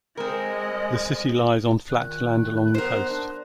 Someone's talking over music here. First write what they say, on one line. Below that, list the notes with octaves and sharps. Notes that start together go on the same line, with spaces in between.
The city lies on flat land along the coast.
G#3 C4 A#4 D#5
A#2 D#3 F#6
D#2 B3 A#4 C5
D4